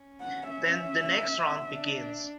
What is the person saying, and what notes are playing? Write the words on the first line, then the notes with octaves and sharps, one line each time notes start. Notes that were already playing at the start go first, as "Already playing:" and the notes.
Then the next round begins.
Already playing: C#4
F#5
E5
D4